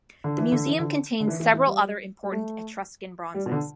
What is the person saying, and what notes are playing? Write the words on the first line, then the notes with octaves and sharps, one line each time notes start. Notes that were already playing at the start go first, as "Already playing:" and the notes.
The Museum contains several other important Etruscan bronzes.
D3
E3
D3
E3
D3
D3
E3
E3
E3
G3
G3
A3
G3
B2
D3